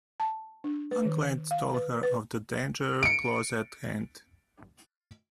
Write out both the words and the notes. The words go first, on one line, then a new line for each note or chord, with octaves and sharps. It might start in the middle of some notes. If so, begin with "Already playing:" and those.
One glance told her of the danger close at hand.
A5
D4
B4
D#3
F5
B4
B4
C#7 D7